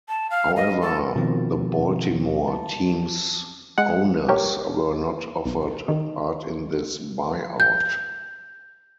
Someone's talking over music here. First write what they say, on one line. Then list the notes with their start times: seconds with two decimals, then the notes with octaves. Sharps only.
However, the Baltimore team's owners were not offered a part in this buyout.
0.09 A5
0.30 F5
0.56 D#5
0.82 A4
1.15 B2 D#3 F3 C4
2.48 A5
3.78 G#3 F#5
4.29 G4 A#4 C#5
5.45 B1
5.88 D#3
7.60 G6